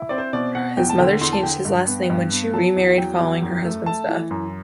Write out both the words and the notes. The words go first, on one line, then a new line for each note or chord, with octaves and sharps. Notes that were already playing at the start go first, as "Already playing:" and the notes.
His mother changed his last name when she remarried following her husband's death.
Already playing: E4
C4 D5
C5
B2 D5
B2 F#5
E2 G5
A5
D3 G5
E2 C6
A5
D3 G5
G2
B3
G2
B3
F#3 A5
E2
F#3 G5
E2
F#2
A3
A3 A5
E3
F#2